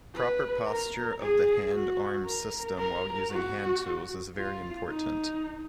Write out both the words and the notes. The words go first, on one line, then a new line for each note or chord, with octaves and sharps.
Proper posture of the hand-arm system while using hand tools is very important.
B4
A#4
G#4
F#4
A#4
A#4
F#4
F4
D#4